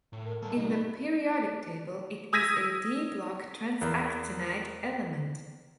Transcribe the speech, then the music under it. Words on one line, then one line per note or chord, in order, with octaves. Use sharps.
In the periodic table, it is a d-block transactinide element.
A2
A#4
G3 A#3 A4
B1 G3 D#4
B3
D#6 E6 G#6 A#6 B6 D#7
E2 A#4 A#5